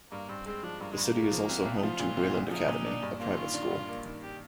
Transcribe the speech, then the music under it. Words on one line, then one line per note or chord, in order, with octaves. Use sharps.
The city is also home to Wayland Academy, a private school.
G2 A#3
G2 C4
G#3 C4
F3 D4
G2 A#3
G2 G#3
A#3
G#3
F3
C2
C2
D#4
F3 F4
A#2
C2
C2
F3 D#4
A#2
D4
G2
A#3 F4
D#3
D4
G2
A#3
D#3
G4